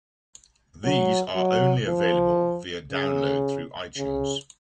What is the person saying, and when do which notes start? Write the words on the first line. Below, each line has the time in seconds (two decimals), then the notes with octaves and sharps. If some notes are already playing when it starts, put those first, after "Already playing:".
These are only available via download through iTunes.
0.84 F#3
1.36 F#3
1.88 F3
2.92 C#3
3.97 C#3